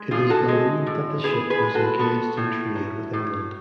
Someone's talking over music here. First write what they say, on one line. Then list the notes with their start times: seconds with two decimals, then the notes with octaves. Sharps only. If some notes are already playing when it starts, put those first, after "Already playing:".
It is believed that the ship was engaged in trade with England.
Already playing: G#3
0.11 A2 F4 G#4
0.30 F#4 A4
0.48 G#3
0.87 A2
1.24 B3 G#4 B4
1.50 G#4 B4
1.63 G#3
1.75 F#4 A4
1.99 B3 F#4 A4
2.37 A2
2.76 F#3
3.13 A2